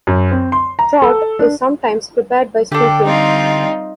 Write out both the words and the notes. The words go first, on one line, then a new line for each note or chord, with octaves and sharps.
Trout is sometimes prepared by smoking.
F#2
C4
C6
A#5
A4
D4
D3 D4 G4 A4
G3 C4 D#4 F4